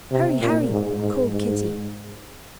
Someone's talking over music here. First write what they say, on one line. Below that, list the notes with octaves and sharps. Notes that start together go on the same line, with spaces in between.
"Hurry, hurry!" called Kitty.
C3
A#2
G#2
G#2
G#2